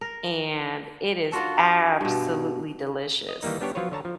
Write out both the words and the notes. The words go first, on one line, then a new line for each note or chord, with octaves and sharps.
and it is absolutely delicious.
A#4
D4 F4 F#4 A4
G2 B2
D#5
D#3 E3 G3 A#3 D#4
G3 B3 D4 G4 C#5
F3 F#3 F4 B4 C#5
D3 C#5 A5 A#5
F3